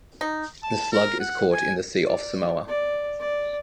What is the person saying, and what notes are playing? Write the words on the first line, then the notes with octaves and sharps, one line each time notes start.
The slug is caught in the sea off Samoa.
D#4
A5
A#4
F#5
G#5
D5
D5
D5